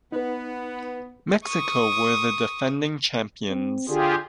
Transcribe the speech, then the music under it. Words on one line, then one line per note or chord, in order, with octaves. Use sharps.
Mexico were the defending champions.
B3 D#4 B4
C#6 D#6
C4
D3 F4 G4 G#4